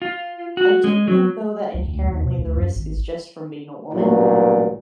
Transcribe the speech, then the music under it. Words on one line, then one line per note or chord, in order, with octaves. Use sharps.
I do think though that inherently the risk is just from being a woman,
F4
F#4
G#3
F#3
C#2
D2
D#2
B2
D2
F#2
G#1
A1 G2 A#2 F#3